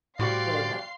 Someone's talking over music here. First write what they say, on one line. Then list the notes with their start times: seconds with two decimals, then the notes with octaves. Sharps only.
What is it?
0.19 A2 G3 F#4 C5 D5 F5 C6 C7